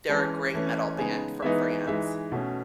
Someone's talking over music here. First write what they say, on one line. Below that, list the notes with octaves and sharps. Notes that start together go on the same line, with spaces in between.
they're a great metal band from France.
E3 G#3 C#4 A5
E3 A3 C#4
C#3 G#3 B3 D#4 G#5
E3 G#3 B3 D#4 E5
E3 G#3 D#4 E5
B2 A3 C#4